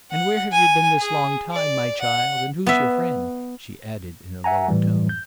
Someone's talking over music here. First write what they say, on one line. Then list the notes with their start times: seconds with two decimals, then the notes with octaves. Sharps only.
"And where have you been this long time, my child; and who's your friend?" she added in a lower tone.
0.10 F#5
0.51 G#5
0.99 G#4
1.53 D5
2.01 F#5
2.67 B3 E5
4.44 E5 F#5 G#5 A#5
4.68 A2 E3 G3
5.09 G6